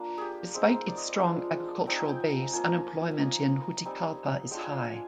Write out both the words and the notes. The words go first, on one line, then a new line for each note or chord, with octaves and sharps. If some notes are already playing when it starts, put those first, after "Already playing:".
Despite its strong agricultural base, unemployment in Juticalpa is high.
Already playing: A#3 D4 F4
G4 G#4
G#3 C4 D#4 G#4
C5
D5
D#5
D5
F3 G#3 D4 F5
F3 C4 D#4 G5
G#5
G5
G#5
A#5
G#5
F3 A#3 F4 G#5
A#5
G#5
G#5
A#3 D#4 A#5
G3 C4 D#4 G#5
G#3 D4 F4 G5
G#5
F5
G#5